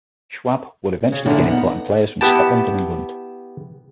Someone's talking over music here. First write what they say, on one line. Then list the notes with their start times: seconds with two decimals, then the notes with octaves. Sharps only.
Schwab would eventually begin importing players from Scotland and England.
1.12 C#3
1.26 F#2 A#2 D3 D#3 E4
1.48 B3 D#4
2.21 B3 E4 G4 G5 A5